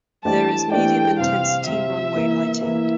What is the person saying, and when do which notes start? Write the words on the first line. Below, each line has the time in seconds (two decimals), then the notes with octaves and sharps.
There is medium intensity runway lighting.
0.25 E3 A3 D4 G4 D5 A5
0.72 E3 A3 D4 G4 D5 G5
1.19 C3 G3 C4 G4 F5
1.67 C3 G3 C4 G4 E5
2.14 E3 A#3 E4 A#4
2.61 E3 A#3 E4 A#4 E5